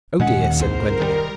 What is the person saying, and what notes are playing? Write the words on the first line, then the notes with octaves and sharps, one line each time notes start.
"Oh dear!" said Gwendolen.
D#2 A#2 G#3 C#4 F#5
C2 G#2 A#4 C5
D#3 E3 G3